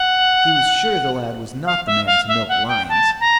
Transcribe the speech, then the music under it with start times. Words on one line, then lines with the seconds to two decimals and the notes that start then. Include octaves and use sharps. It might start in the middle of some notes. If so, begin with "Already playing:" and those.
He was sure the lad was not the man to milk lions.
Already playing: F#5
1.66 F5
1.86 E5
2.06 F5
2.28 E5
2.49 F#5
2.68 G5
2.89 A5
3.20 A#5